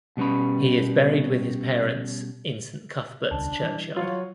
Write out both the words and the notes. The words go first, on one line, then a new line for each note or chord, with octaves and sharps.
He is buried with his parents in St Cuthberts Churchyard.
B2 G3 B3 C#4 B5
D#1 C#2 D4
E3 G3
F#3 F4 C#5